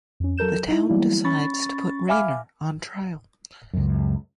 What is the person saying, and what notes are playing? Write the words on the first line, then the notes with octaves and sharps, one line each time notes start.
The town decides to put Rayner on trial.
F2 C#4
F#3 A4 A#4 G6 E7
D#4 E4
E3 F#3 G3 A#3 B3 E4
C#4 B5 C#6 A6
E5 F5 G#5 B5 D6 F6
C#2 F#2